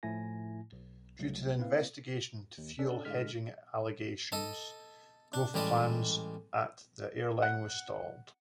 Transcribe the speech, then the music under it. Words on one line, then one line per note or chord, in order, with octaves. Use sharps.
Due to the investigation into fuel-hedging allegations, growth plans at the airline were stalled.
A2 F3 A3 E4 G#5 A#6
B1
C2 F#3 A3
A#3 C4 E4 B4 F5
D#2
C#4 D4 A4
A2 D3 G#3 F6 B6
A4 D#5 A5
D4
A1 G3 G#3 D5 D#5 A5
F#5